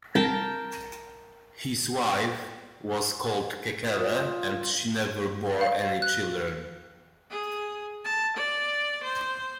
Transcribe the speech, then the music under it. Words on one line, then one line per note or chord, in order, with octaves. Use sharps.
His wife was called Kekele and she never bore any children.
C2 A#4 G5 A5
F4 C5 D#6
F5
F#6
G#4
A5
D5
C5